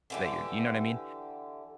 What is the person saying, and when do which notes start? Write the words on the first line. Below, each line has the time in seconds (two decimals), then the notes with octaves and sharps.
that you're you know what I mean?
0.10 D3 E3 G4